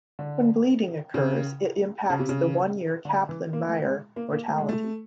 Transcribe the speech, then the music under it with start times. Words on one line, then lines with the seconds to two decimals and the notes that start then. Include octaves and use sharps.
When bleeding occurs, it impacts the one year Kaplan-Meier mortality.
0.19 D3
1.14 C#3
2.10 C#3
2.19 C3
2.29 C#3
3.05 D3
3.29 E3
3.53 A#3
3.68 A3
3.84 G#3
4.16 A#3
4.32 A#3
4.48 A3
4.58 G#3
4.69 A3